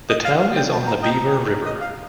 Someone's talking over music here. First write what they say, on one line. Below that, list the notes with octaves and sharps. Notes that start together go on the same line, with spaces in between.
The town is on the Beaver River.
D#5
F5
F5
G5
A5
A#5
D#5 G5 A#5
D#5
F5